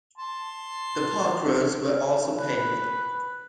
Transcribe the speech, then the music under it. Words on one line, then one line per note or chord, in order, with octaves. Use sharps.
The park roads were also paved.
A5 C6
B4